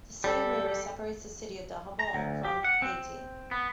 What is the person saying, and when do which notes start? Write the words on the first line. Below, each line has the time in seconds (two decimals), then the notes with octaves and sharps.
The same river separates the city of Dajabon from Haiti.
0.24 G3 A4
1.99 A#5
2.14 D2
2.45 G4
2.64 F#5
2.82 C4
3.51 B3